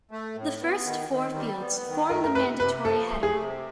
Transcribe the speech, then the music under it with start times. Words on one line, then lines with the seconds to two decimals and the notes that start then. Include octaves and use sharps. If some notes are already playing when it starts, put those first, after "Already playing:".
The first four fields form the mandatory header.
0.11 A3
0.36 A2
0.61 B3
0.85 D#3
1.10 D#3
1.35 G3
1.60 B3
1.86 D#3
2.10 A3 A#4
2.24 A#4
2.35 C3 B4
2.60 C3 B4
2.85 F3 A4
3.09 A3
3.23 G#4
3.35 C3